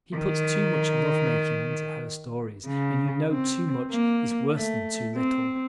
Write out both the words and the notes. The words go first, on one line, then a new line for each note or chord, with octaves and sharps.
She puts too much lovemaking into her stories and you know too much is worse than too little.
D#3
C#3
C4
A#3
A3
C4